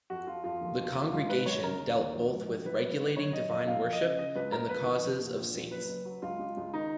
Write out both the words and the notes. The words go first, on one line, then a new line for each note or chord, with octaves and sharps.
The congregation dealt both with regulating divine worship and the causes of saints.
F2 F#4
F3 F4
F2 F4
D#2
D#2
F3
G#1 F4
G#2 B4
G#1 C#5
C#3 A#4
D#2
D#2
A#1
G#2
A#1
G#1 B4
G#1
D#3
F#1 C#5
F#1 D#5
F2 D#5
F1 F5
F2
D#5
C#3
C#3 D#5
C#2 B4
C#2 A#4
F2 B4
D#3
F2
A#2
A#1
A#2
F#1 B4
F#1
F#3
C#2 F4
C#2
C#2
D#3 D#4